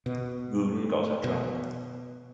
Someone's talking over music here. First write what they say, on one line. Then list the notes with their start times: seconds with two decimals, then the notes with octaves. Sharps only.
Rhun got her drunk.
0.06 B2
1.24 B2